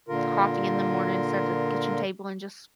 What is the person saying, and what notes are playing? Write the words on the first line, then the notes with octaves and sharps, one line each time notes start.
coffee in the morning, instead of the kitchen table and just
A#2 D3 F4 A#4